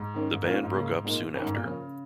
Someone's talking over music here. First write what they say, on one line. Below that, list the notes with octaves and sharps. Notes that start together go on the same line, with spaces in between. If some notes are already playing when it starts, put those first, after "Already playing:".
The band broke up soon after.
Already playing: G#2
D#3 C#4 A#4
G#2
A#2 D#3 C#4 F4 A#4
G#2
C#3 A#3 C#4
A#2 G#3 D#4 A#4
F2 D#3 C#4 A#4
G#2
A#2
C#3 F3 C#4 A#4